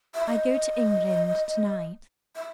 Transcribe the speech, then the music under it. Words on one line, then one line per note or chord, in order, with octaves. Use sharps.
"I go to England to-night."
E5
D#5
E5